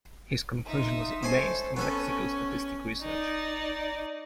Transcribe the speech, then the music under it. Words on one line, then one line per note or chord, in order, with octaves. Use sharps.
His conclusion was based on lexicostatistic research.
D#4 F4 E5
A4 C5 C#5 D#5 G#5 C6
B3 C#4 A4 B4 C#5 C#6
D#4 D5